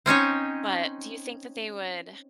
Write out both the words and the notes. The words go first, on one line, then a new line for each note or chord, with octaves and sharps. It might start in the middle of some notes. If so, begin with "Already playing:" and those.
But do you think that they would
C4 C#4 D#4 C#5